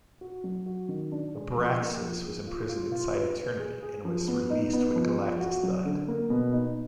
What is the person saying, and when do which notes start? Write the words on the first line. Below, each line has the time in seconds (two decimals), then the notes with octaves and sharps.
Abraxas was imprisoned inside Eternity and was released when Galactus died.
0.21 F#4
0.44 F#3
0.66 F#4
0.89 D#3
1.12 D4
1.35 G#3
1.57 F3
1.80 A#3
2.02 F3
2.25 G#4
2.47 F4
2.69 F4
2.92 F4
3.15 B4
3.37 B4
3.60 G#4
3.83 G#4
4.05 F3
4.28 B3
4.50 D#4
4.73 B3
4.96 F3
5.18 F3
5.40 F#4
5.63 F#3
5.85 D3
6.08 A#3
6.30 B2
6.53 D#4